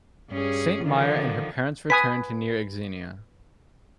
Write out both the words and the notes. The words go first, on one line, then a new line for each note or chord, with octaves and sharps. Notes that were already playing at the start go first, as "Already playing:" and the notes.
Santmyer and her parents returned to near Xenia.
G2 C#4 G#4
D3 D#3 F3
B4 G#5 D#6 B6